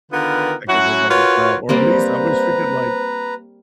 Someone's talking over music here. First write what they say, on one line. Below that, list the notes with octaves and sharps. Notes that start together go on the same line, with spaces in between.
I could go back in time, or at least I wish we could, like
D3 D#3 B3 F4 A#4 B4
F#3 C#4 E4 F#4
F4 F#4 A#4 B4 C#5
G3 A#3 C4 B4 C5 A#5